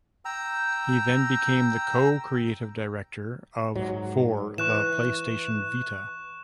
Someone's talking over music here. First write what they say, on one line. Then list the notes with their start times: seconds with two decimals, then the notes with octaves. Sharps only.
He then became the co-creative director of for the PlayStation Vita.
0.25 G5 A#5 E6
3.75 G#2 F#3
4.58 E3 C#6 F#6 E7